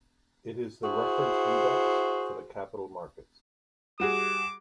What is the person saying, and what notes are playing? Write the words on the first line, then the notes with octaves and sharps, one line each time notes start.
It is the reference index for the capital markets.
E4 F#4 G#4 C5
G3 F#4 G#4 D6 E7